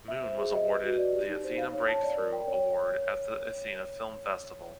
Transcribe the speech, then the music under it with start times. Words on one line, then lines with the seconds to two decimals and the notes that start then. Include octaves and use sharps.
Moon was awarded the Athena Breakthrough Award at the Athena Film Festival.
0.08 E5
0.23 C5
0.38 G#4
0.53 D#5
0.68 B4
0.83 F#4
0.97 D5
1.13 G4
1.28 D#4
1.43 C5
1.58 F5
1.73 C#5
1.88 A5
2.03 D5
2.18 A#4
2.32 G5
2.47 C#5